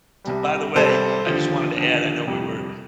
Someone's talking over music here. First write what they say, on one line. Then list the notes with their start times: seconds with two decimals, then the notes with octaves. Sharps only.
By the way, I just wanted to add, I know we were
0.25 C2 C3 G3
0.75 C2 C3 G3 A4 C5
1.26 D#2 D3 F3
1.77 D#2 D3 F3
2.27 F2 C3 G3